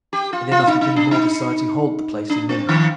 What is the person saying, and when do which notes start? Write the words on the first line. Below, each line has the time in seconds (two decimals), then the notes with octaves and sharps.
And there must be many more besides who hold the place in memory.
0.13 G4
0.33 F4
0.51 F4
0.67 D#4
0.81 D#4
0.96 D4
1.11 D#4
2.30 D4
2.49 C4
2.69 D#3